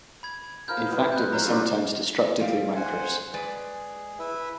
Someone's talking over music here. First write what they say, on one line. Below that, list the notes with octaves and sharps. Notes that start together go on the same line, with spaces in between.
In fact it was sometimes destructively rancorous.
B5 G#6
F3 A#4 B5 F6 G6
B2 G3 B3 D#5
F#6 G6
F#3 C#4 C5 A#5
G2 F4 F#4 B4 D5 F#5
F3 G3 F5
C5 F#5 G#5
G#3 G#4 B4 D5
E4 B4 E5